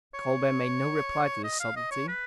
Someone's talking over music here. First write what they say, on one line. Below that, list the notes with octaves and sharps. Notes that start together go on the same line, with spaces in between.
Colbert made no reply to this subtlety.
C#5
D#5
F5
D#5
C#5
B4